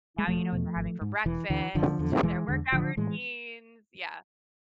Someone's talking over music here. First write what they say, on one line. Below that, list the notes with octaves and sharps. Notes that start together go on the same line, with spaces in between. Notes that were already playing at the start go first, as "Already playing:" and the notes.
Now you know what they're having for breakfast, their workout routines. Yeah.
G#3
E1 F3 A3
E2 B2
G#1
G#2
E1 E3
D2 D3 E3
F1 D3 F3
E2 D3
E1 E3 G#3
E2 D3
A1 D3 F3
A2 E3 G#3